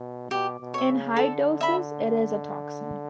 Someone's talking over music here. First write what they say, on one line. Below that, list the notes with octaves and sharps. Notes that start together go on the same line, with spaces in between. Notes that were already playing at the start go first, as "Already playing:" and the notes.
In high doses, it is a toxin.
Already playing: B2
B2 G4
B2
C#5 E5
C#3
D3 A4
E5 B5